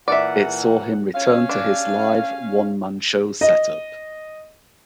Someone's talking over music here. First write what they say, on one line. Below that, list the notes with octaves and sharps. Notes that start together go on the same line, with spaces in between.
It saw him return to his live one-man show set up.
A#2 E3 D5 E5 F#5
C#4 F5
D4
D#5